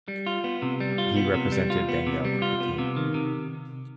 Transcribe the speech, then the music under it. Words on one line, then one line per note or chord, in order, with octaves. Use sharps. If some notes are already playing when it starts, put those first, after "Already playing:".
He represented Bengal cricket team.
G3
F4
B3
C3
G3
F4
B3
C3
G3
F4
B3
C3
G3
F4
B3
C3
D#3
C3